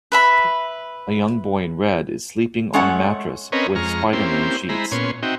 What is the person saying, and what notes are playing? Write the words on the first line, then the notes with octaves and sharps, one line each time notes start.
A young boy in red is sleeping on a mattress with spiderman sheets.
B4 E5 B5
G#3 A3 C#4 A4 C#5 F#5
C4 C#4 A#4 B4 C#5 D#5
F2 G#3 A#5 C#6 F6
A#3 C4 C#4 E4 G4 C5
G#3 E4 C5 A#5 B5
A#2 B3 C#4 C#5 C6
C4 D#4 F#4 E5 G5